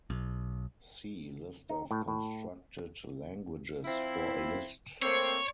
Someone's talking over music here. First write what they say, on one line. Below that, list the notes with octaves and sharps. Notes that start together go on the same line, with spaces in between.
See list of constructed languages for a list.
B1
D#4
A2
A2
F3 C4 E4
A3 A#3 C4 C#5